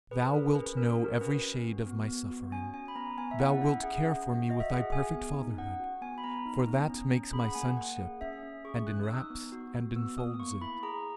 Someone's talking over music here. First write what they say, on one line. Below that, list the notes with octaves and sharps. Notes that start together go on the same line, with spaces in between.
Thou wilt know every shade of my suffering; thou wilt care for me with thy perfect fatherhood; for that makes my sonship, and inwraps and infolds it.
G#4 B4
G#4 A#4
C#4 B4
C#4 A#4
F#4
A#4
C#4 B4
C#4
F#4
B3
B3
F#4
C#4 G#5
C#4 G#5
B5
B3 A#5
B3 G#5
E5
E4 F#5
C#4 E5
G#4 F#5
C#4
F#4
F#4 D#5
E5
G#4 F#5
G#4 G#5
B3
D#4
C#4 F#5
F#4
B3 G#5
B5
B3 A#5
D#4
B3
C#4
C#4
G#4 B5
F#5
A#3 G#5
A#3 F#5
G#4
C#4 E5
C#4
G#4 C#6
C#4 F#6
D#6
D#4 E6
B3
F#4
F#4
B3 E6
B3 D#6
A#3 C#6
E4 B5
G#4 A#5